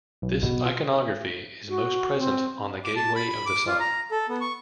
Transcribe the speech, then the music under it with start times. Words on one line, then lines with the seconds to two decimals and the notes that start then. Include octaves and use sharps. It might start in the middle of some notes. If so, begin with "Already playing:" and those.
This iconography is most present on the Gateway of the Sun.
0.22 B1
0.43 B2
0.66 F4
1.69 F#4
2.18 C4
2.85 D6
2.96 A5
3.15 B5
3.29 B5
3.46 D6
3.67 F4
3.80 A#5
4.11 A4
4.29 B3
4.41 C#6